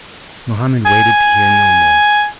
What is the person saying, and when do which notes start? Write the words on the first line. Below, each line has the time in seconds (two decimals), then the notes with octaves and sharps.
Mohammed waited to hear no more.
0.86 G#5